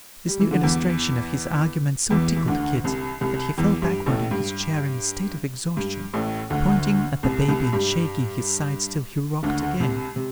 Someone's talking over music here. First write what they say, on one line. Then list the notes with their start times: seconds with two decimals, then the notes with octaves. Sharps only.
This new illustration of his argument so tickled Kit, that he fell backward in his chair in a state of exhaustion, pointing at the baby and shaking his sides till he rocked again.
0.28 G3
0.40 E3
0.51 D3
0.63 E2 E3
2.10 E2 E3
2.36 E3
2.47 D2 D3
2.84 C2 C3
3.21 C2 C3
3.58 E2 E3
3.81 G2 G3
4.06 A1 A2
4.31 G2
5.77 G2
6.13 A1 A2
6.50 D2 D3
7.23 C2 C3
7.48 C2 C3
7.72 G2 G3
9.43 D2 D3
9.80 C2 C3
10.16 C3